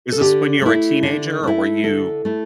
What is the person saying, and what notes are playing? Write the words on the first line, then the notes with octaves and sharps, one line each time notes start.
Is this when you were a teenager or were you
A4
D3 G4
A3 E4
D3
A3 E4
D3 A4
A3 E4